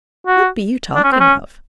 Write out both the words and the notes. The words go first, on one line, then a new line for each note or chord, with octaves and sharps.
"What be you talking of?"
F#4
D4
C#4
C4
C#4